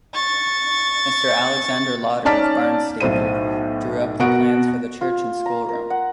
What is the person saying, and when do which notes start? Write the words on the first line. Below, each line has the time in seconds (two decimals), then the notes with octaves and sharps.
Mister Alexander Lauder of Barnstaple drew up the plans for the church and schoolroom.
0.15 C#6 A6
2.25 C#4 D#4 D5 A5 F6 B6
3.01 B1 A2 C5 D#7
4.19 B2 B3 F#4 A#4 F#5 D7
5.01 F4
5.46 A#5
5.69 A#4
5.90 F#5